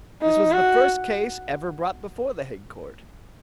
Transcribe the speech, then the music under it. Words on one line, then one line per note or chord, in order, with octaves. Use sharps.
This was the first case ever brought before the Hague Court.
D#4
F#4